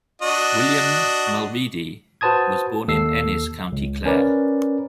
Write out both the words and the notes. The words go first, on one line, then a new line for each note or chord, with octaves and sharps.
William Mulready was born in Ennis, County Clare.
D4 F#4 D#5
F#4 B4 C5 A5 D#6 G#6
D#2 A4 E6 C7
C#2
C#4 A#4 B4 D5